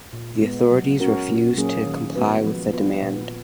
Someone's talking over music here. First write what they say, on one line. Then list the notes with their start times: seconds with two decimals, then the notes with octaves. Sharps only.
The authorities refuse to comply with the demand.
0.13 A#2
0.42 G#3 B3
0.71 F#3
1.00 C#4 F#4 A#4
1.29 A#2
1.58 F#3 A#3 C#4 G#4
1.86 D#3
2.16 G#3 B3 F#4 B4
2.44 F3
2.73 B3 F4 B4
3.02 A#2